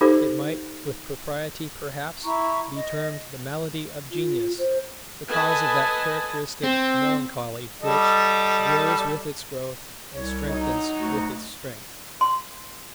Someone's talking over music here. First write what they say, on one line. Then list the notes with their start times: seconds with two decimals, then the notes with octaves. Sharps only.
It might with propriety, perhaps, be termed the malady of genius; the cause of that characteristic melancholy which "grows with its growth, and strengthens with its strength."
0.01 D#4 G4 A4 C5
2.24 E4 A#5 C#6
2.75 D#5
4.11 F4
4.58 C5
5.27 A4 B4 D#5 G#5 A5
6.63 C4
7.81 G3 A4 D#5
10.14 C2 C#5
10.48 F#3 D#4
10.98 D2 F#4
12.21 C6